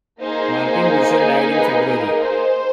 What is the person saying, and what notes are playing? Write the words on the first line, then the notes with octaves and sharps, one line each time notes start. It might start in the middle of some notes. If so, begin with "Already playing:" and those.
Martin Bucer died in February.
A#3 D#4 G#4 C5
B4
A#4
C5